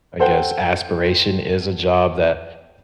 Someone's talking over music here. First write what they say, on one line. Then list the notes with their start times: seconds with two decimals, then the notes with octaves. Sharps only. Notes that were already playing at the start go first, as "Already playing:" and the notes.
I guess, aspiration is a job that,
0.20 A4 C5 F#5 G5